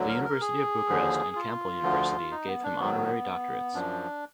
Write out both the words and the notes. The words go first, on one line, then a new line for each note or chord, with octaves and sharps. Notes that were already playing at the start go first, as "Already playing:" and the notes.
The University of Bucharest and Campbell University gave him honorary doctorates.
Already playing: D2 D3 F#3
A#4
A#4
G#4
D#2 D3 F3
F4
D2 D3 F3
D#4
B3
D4
G#2 D#3 F#3 B3
F#2 F3 D4